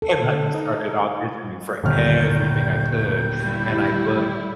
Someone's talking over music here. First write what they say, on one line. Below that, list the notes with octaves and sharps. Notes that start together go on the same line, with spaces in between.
and I just started auditioning for everything I could and I booked
A4
D3
D#4
G1 D#2 A#2 D3 F6 G6
G3 E4